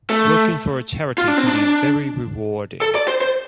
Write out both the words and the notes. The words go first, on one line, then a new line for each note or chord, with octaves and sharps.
Working for a charity can be very rewarding.
A3
F4
D4
C4
D4
A4
D5
C5
C5